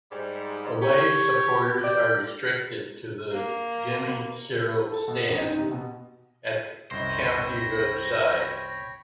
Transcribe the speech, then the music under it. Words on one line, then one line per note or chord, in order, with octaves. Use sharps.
Away supporters are restricted to the Jimmy Sirrel stand, at the County Road side.
G#2 G3
G4 C#5
D5 G5
A#3
A4
B2
A1
D#4
C3
B2
C2 F#2 C5 C#5 D#5 G5 B5 A#6